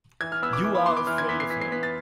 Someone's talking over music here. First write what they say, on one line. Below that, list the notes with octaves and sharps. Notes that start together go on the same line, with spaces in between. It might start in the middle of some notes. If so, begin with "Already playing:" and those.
You are afraid of her!
E3 G#6
F6
B3 E6
D6
E3 D6
B5
B3 C6
D6
E3 F6
G#6
B3 B6
C7
E3 B6
C7
B3 B6
A6